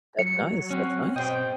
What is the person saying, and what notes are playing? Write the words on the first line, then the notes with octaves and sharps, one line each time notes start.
That's nice, that's nice.
F#3 C#7
C4 C#4 F#4
B2 C5 D#5 G5